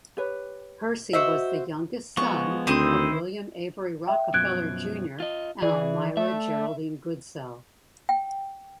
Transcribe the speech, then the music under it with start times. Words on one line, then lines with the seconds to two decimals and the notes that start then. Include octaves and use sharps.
Percy was the youngest son of William Avery Rockefeller Junior and Almira Geraldine Goodsell.
0.17 G4 B4 C#5
1.13 F#4 C5 D#5 E5
2.17 F3 G#3 B3 C#6
2.67 D2 D#3 C4 E4 C5 D#6
4.07 E5 G5
4.34 F#2 B2 F3 F#6 G#6 D7
5.20 F4 D#5
5.62 E3 G#4 D5
6.17 A3 E5
8.09 G5